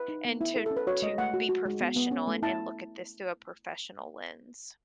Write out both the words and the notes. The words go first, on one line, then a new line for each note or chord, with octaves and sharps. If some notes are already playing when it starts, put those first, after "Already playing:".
and to to be professional and and look at this through a professional lens."
Already playing: B4
D#4
B3
E4
E4 A4
A4
C#4
B4
F#4 C#5
G#3 D#5
A3 F#5
F#4
F#4
G#3
B3
B3
C#4
A3
E4 A5